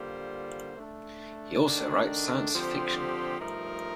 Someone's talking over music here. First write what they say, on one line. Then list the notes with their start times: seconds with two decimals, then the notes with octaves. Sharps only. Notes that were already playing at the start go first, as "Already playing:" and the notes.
He also writes science fiction.
Already playing: D3 G3 A#3 F4 C5
0.78 A3 D4 A4
1.65 D#3 A3 D4
2.52 D3 F3 C4 G4 C5
3.39 G2 F3 A3 D#4 A#4